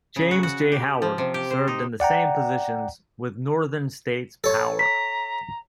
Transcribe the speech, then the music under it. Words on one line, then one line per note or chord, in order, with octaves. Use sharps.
James J. Howard served in the same positions with Northern States Power.
C#3
F#4
F#4
G4
F3
C3
G4
C5
D#4
D5 F#5 G5 A#5
A4 C#5
A#5 B6